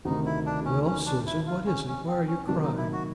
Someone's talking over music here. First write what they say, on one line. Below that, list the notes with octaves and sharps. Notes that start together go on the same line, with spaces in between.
'Well, Susan--what is it?--why are you crying?'
D2 C3 D#3 D#4
E4
D4
C#4
C#4
D4
E4
F4
C#4
C#4
C4
C#4
C3 D#3 F#3 A#3 D4
D#4
E4
F#4